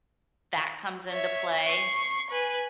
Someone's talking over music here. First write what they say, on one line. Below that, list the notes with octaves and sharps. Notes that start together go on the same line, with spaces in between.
that comes into play,
C#5 E5
C#6 C7
B4 G#5